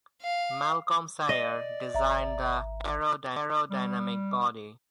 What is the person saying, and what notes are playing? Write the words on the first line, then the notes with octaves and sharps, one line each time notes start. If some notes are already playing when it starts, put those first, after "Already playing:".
Malcolm Sayer designed the aerodynamic body.
F5
D5 D#5
G#1 E5 A#5
G3